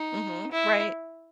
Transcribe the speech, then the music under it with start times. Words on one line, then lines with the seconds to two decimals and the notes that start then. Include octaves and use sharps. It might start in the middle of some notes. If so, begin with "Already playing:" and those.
Mhm. Right.
Already playing: D#4
0.51 E4